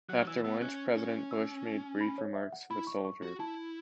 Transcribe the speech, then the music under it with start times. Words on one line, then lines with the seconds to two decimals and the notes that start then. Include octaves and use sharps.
After lunch, President Bush made brief remarks to the soldiers.
0.09 F#3 F#6
0.27 E3 E6
0.44 B3 E6
0.61 C#4 F#6
0.97 C#4
1.31 E6
2.01 B5
2.18 C#5
2.35 E5
2.52 F#5
2.71 E4 B5
2.87 C#6
3.05 C#6
3.23 F#4
3.39 E4 A5